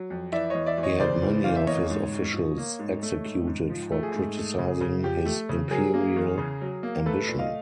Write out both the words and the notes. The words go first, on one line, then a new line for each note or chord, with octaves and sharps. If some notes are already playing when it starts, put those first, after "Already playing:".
He had many of his officials executed for criticizing his imperial ambition.
Already playing: F#3
F2
E3 D5 E5
E2 C#5 D#5
D5 E5
E2
C#5 D#5
C#3 C5 D5
E3
E2 F5
E5
A#3 C#5 D#5
G#2
G#2
F3
A#3
G#2
A3
G#2
G#2
F3
A3
G#4
G#2
A3
C#3
C#3
F3 G4
A3
C#3
F#3 G#4 A#4
A#3
E2
C#3
F#3
A#3
A3 A4 B4
A#2
D#5 F5